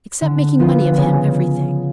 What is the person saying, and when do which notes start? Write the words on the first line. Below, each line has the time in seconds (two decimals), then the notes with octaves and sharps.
"Except making money of him--everything?"
0.21 D3
0.59 F3 B3 F4
0.98 C#3